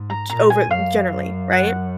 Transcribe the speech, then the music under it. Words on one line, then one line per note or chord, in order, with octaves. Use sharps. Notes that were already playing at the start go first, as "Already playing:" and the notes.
g over generally right?
Already playing: G#2
A#5
A#2 A#5
G#5
F#2 F5
F#5